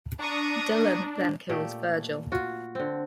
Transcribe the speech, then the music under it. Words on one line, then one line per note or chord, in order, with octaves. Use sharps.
Dylan then kills Virgil.
D4 A#5 C#6 D#6
A#2 A3 G4
F4 F#4
D3 C4